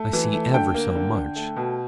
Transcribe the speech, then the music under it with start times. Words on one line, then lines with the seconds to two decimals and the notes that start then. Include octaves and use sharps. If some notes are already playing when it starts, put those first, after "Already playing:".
I see ever so much.
Already playing: A3
0.13 E3
0.33 A3
0.54 D3 G5
0.74 A#3
0.95 D3
1.15 D3
1.36 A3
1.56 B2